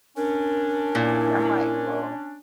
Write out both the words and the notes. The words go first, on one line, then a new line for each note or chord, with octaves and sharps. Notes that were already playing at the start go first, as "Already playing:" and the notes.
and I'm like, "Well,
C#4 D4 A#4
A#2 E4